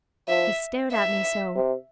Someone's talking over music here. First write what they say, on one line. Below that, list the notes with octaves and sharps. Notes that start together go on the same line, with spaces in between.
He stared at me so.
F3 E5
E5
C3